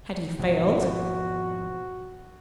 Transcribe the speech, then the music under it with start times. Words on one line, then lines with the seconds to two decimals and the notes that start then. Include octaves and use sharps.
Had he failed?
0.39 G#1 B2 F3 F#4